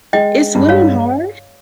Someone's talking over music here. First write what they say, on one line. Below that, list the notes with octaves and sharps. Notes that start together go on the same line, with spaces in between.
Is swimming hard?
G#3 D#5 G5
G2
C#5 F5